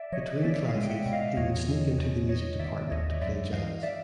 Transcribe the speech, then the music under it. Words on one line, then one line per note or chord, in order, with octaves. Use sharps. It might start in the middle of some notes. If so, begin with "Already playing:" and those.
Between classes he would sneak into the music department to play jazz.
Already playing: D5 E5
F3 C#5 D#5
B3 D5 E5
D#5 F5
G#3
G5
E5 F#5
B2
D#5 F5
E2 C#5 D#5
E3
E2
B3 C#5 D#5
D#3 D5 E5
D#2 C#5 D#5
D#5
F#2 D5 E5
E3 D#5 F5
D5 E5